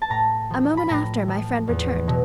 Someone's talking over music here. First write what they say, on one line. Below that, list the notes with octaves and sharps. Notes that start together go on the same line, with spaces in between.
A moment after my friend returned.
A5
A2 A#5
F3
B5
A2 A#5
F3
E2
B2 F#3